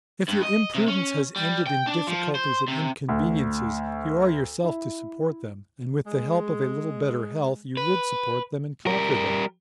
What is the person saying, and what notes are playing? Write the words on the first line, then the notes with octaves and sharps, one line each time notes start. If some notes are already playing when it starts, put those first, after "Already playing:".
'If your imprudence has ended in difficulties and inconveniences, you are yourself to support them; and, with the help of a little better health, you would support them and conquer them.
G2
D#5
C3
C#4
G3
G5
D4
F3
C5
C3
D2
E4
G#3
B4
G3 A#4